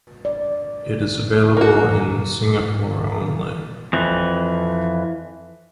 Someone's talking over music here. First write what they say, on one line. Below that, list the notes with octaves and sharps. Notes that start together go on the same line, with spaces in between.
It is available in Singapore only.
D5
A#3 F#4
F2 E3